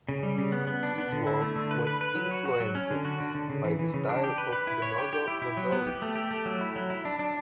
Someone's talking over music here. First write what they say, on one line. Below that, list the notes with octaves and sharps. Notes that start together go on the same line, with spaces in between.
His work was influenced by the style of Benozzo Gozzoli.
C#3
G3
C#3
B3
B3
D4
B3
D3
E4
A3
D3
B4
B4
B4
F#3
F#4
F#4
F#3
C#4
D3
F#4
D3
D3
C#3
E3
E3
C#3
D4
G4
B4
B4
E4
C#5
G4
G4
E4
E4
F#3
B3
G4
A3
G4
A3
F#3
E4
F#3
E4
D4
D4